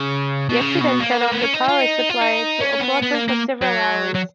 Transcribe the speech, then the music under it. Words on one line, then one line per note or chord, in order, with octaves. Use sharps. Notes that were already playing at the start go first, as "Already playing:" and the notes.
The accident cut off the power supply to Oporto for several hours.
Already playing: C#3
B2
C#3
B2
A#3
B3
C#4
D#4
F4
D#4
F4
D#4
C#4
B3
B3
A#3
A#3
F#3
F#3